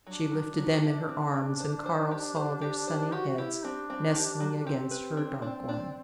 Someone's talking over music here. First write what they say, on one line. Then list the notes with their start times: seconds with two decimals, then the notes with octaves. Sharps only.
She lifted them in her arms, and Karl saw their sunny heads nestling against her dark one.
0.06 F#3 D4
0.32 F#3
0.57 F#3
0.83 E4
1.09 C4
1.34 C4
1.60 C5
1.86 C5
2.11 G4
2.36 C5
2.61 G4
2.87 C5
3.12 F#4 G4
3.28 F#4
3.38 E4 G4
3.63 C4 D4
3.90 C4
4.16 G4
4.40 F#3
4.56 D4
4.65 C4 G4
4.91 B4
5.17 D4
5.42 D4
5.69 D4